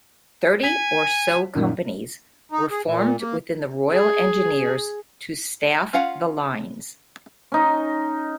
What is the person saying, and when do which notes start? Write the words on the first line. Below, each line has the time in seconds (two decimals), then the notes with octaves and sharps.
Thirty or so Companies were formed within the Royal Engineers to staff the lines.
0.64 G#5 B6
1.55 F#2 A#2 D#3
2.52 D#4
2.71 G#4
2.87 A#2
3.20 A#3
3.92 G#4
5.93 C#4 F4 F5 F#5
7.52 C#4 D#4